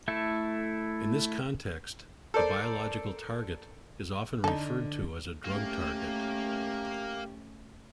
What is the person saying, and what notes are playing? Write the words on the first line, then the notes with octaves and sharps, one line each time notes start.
In this context, the biological target is often referred to as a drug target.
A3 E4 A4
A4 A#4 C5 D5
D3 D#4 A4
A3 A#3 C#4 G4